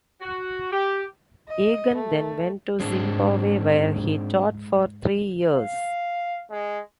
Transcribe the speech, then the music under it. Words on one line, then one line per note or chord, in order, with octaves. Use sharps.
Eggen then went to Zimbabwe, where he taught for three years.
F#4
G4
D#5
A3
G#2 G#3 C4 D4
F5
G#3